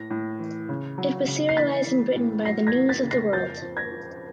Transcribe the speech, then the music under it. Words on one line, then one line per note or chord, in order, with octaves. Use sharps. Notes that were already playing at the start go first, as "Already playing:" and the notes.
It was serialised in Britain by "The News of the World".
Already playing: A2 A#6
A2
E3
C#3
F#3
C#3
C7
E3 A6 B6
E3
A2
F#3 A#6 C7
G#6 A#6
E2
A6 B6
C#3
A#6 C7
F2 G6 A6
F2
G#6 A#6
F3